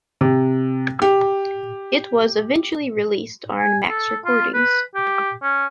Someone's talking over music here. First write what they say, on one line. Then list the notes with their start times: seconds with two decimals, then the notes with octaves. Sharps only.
It was eventually released on Max Recordings.
0.21 C3
1.02 G4
3.58 G#5
3.89 A4
4.25 F4
4.54 B4
4.95 G4
5.42 C#4